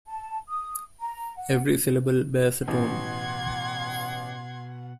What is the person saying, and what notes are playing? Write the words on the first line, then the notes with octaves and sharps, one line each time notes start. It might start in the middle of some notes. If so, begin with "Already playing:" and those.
Every syllable bears a tone.
A5
D#6
A#5
F#5
A1 B2 F#5 C6 G#6